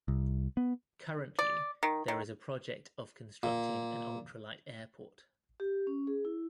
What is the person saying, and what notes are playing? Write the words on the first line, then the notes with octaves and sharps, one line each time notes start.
Currently there is a project of constructing an ultralight airport.
C2
B3
D5
D#3
D#3
A#2
G4
C#4
G#4
E4